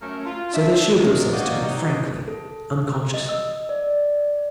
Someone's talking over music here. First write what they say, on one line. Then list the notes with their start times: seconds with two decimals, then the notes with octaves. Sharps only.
So they showed themselves to him frankly, unconsciously.
0.02 F#2 A3 C#4 A#4
0.25 F4
0.53 D4 E5
0.98 E2 C#3 F3 F#3 G#3 A#4
1.33 A#3 F#4 C5 D5 D#5 F5
1.63 C3 F#3 G3 D#4 D#5
2.28 A4
3.14 D#5
3.29 E6
3.69 D5